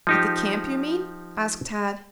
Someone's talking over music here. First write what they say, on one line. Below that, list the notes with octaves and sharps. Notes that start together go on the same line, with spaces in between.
"At the camp, you mean?" asked Tad.
F3 D#4 G4